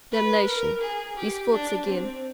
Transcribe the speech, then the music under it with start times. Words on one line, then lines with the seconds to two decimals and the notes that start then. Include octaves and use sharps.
Damnation, these thoughts again!
0.12 B4
0.47 A#4
0.82 G#4
1.17 G4
1.52 D4
1.87 C4